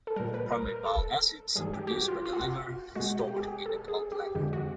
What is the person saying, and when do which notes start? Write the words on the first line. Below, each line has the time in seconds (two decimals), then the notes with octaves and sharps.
Primary bile acids are produced by the liver and stored in the gall bladder.
0.07 A4
0.16 A#2 G3 A#4
0.34 B4
0.52 A#4
0.68 A#4
0.86 A4
1.56 G#2 E3 G3 G#4
1.73 G4
1.87 G4
1.91 F#4
2.08 F4
2.25 F4
2.33 F#4
2.42 F4
2.95 B2 G#3 F#4
3.19 G4
3.36 G4
3.42 G#4
3.66 A4
3.88 G#4
4.12 G4
4.35 F2 D3 F3 G#3 G4
4.53 F#4